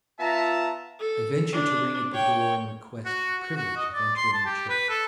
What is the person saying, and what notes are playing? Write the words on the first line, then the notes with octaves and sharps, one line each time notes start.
I venture to ring at the door and request the privilege of entering the church.
B3 F4 E5 A5 A#5
A4
D4
C#5 G5
F#4
F#4
F#4
D#5
D5
C6
A5
G4
B4
A4